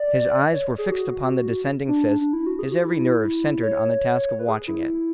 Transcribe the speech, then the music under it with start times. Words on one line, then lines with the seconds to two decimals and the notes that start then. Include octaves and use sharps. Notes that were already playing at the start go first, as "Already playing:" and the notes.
His eyes were fixed upon the descending fist, his every nerve centered on the task of watching it.
Already playing: D5
0.53 C#5
0.78 G#4
0.92 F#4
1.88 D4
2.08 D4
2.20 D4
2.33 E4
2.46 F#4
2.59 G#4
2.72 F#4
2.85 E4
3.62 C#5
4.39 B4
4.48 G#4
4.68 E4